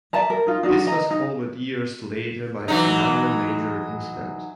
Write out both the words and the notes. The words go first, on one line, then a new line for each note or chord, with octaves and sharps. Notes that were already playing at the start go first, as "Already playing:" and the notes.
This was followed years later by another major incident.
D5 E5 A5 A#5
A#4
D#4 F4
D4 D#4 F#4
D#5 A#5
D#4
E3 F#3 D#4